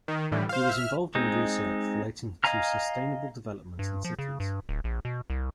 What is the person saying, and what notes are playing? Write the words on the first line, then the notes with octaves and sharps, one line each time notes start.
He was involved in research relating to sustainable development and cities.
D#3
A2 D3 E3 G3
C5 F5
E5 F6
G#3 C4 D#4
D#5 F5 G#5 A#5 F6
G2
F3
C#3
G2
D1
A#1
B2
C2